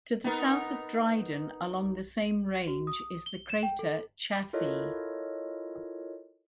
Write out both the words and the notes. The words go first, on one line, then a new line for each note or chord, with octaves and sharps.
To the south of Dryden along the same range is the crater Chaffee.
B3 D#4 A#4
F#4
D#6
G7
E7
G5
A4
E4 F4 A4 A#4 C#5 D#5